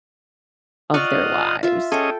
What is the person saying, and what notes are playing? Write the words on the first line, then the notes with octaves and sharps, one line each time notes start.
of their lives.
F4 D5 D#5 F#5 C#6
F4 E5
C#4 G#4 A4 D#5 G5